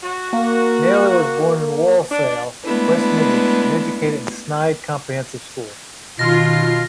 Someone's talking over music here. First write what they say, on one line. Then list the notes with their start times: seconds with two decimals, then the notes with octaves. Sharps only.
Naylor was born in Walsall, West Midlands, and educated at Sneyd Comprehensive School.
0.02 F#4
0.33 A#3
2.10 D4
2.64 G#3 A3 B3 D4 E4
6.19 B2 D#3 F4 F6 A#6